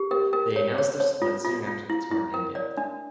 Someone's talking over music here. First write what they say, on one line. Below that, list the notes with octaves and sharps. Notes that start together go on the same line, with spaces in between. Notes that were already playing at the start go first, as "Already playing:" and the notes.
They announced their split soon after the tour ended.
Already playing: G4
A#4
A#4
C#5
C#5
C#5
F4
F4
F4
E4
E4
A#4
C#5 D5
D4